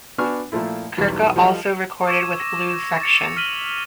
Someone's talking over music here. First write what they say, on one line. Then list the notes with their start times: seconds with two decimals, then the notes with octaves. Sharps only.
Kirka also recorded with Blues Section.
0.18 B3 D4 F#4 G#5 C#6 F6
0.52 A#2 F3 A3 E4
0.97 B1 E2 B2 G3
1.36 F3 G3 A4 D#5
2.07 C#6 D6 E6 G#6 E7
2.40 A#6
3.01 A6 C#7 F7
3.36 F6 B6 C#7 D#7 F#7 G7